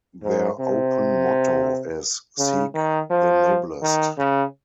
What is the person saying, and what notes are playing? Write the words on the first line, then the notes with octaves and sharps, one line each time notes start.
Their open motto is Seek the Noblest.
G#2
C3
C#3
D#3
F3
D#3
C#3